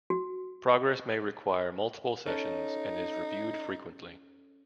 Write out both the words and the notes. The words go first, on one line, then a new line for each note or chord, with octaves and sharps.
Progress may require multiple sessions and is reviewed frequently.
F#4
C#4 D#4 A4 D#7